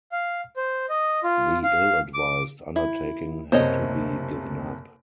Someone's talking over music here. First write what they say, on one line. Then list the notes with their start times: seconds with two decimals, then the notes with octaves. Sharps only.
The ill-advised undertaking had to be given up.
0.12 F5
0.56 C5
0.89 D#5
1.24 F4
1.63 F5
2.14 D6
2.76 E4
3.52 F#1 C3 C5 C#5 D#5